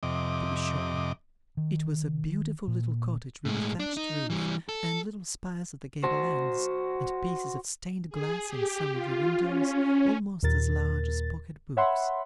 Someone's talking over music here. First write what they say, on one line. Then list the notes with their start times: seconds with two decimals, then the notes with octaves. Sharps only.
To be sure, it was a beautiful little cottage with a thatched roof and little spires at the gable-ends, and pieces of stained glass in some of the windows, almost as large as pocket-books.
0.03 F2 C3 D#5 D6
1.57 D#3
2.67 A#2
3.45 A2 G#3
3.80 D4
3.97 D#4
4.30 E3 G3
4.69 A4
6.04 F#4 C5
8.10 G#4
8.47 G4
8.93 F4
9.40 C#4
10.43 D#2 A#2 A#4 A6
11.77 C#5 E5 F#5 B5 C6